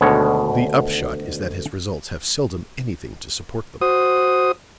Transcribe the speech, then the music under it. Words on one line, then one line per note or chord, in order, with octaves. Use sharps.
The upshot is that his results have seldom anything to support them.
D2 B2 D3 D#3 G#3 C#5
F#4 C5 D#6